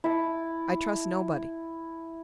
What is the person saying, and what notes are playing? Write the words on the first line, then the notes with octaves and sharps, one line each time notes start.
I trust nobody.
E4 A5